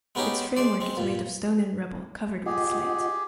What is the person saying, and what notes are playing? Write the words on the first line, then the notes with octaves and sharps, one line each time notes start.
Its framework is made of stone and rubble, covered with slate.
G#3 B3 C#4 D#4 G4 G#4
G#3 C5 D5
G#3 C4
G2 A#2
F4 G4 G#4 D#5 F#5